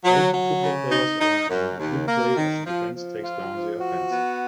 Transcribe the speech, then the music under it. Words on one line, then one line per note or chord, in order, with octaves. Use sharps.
Eight football players are in midplay as the defense takes down the offense.
F#3
F#3
C#3
D#4
D#4
F#2
D#2
A#3
D#3
F3
F3
F4
F3
F#4
B3